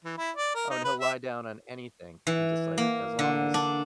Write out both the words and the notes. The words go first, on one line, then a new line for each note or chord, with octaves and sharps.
Oh, and he'll lie down on anything. He just, like, as long as,
E3
E4
D5
A#4
D#4
B4
E5
E3
A#3
D3
D4